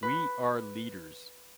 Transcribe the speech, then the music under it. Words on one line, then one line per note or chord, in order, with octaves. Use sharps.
We are leaders.
B4